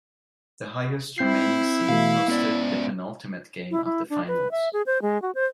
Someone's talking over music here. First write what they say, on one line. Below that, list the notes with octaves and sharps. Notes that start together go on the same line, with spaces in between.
The highest remaining seed hosted the penultimate game of the Finals.
C4 E4 G6 C7
B2 E3 A3 F5
G#3 B3 C#4 D5
E4
E4
D4
B4
E5
G#4
C5
G#3
F#4
C5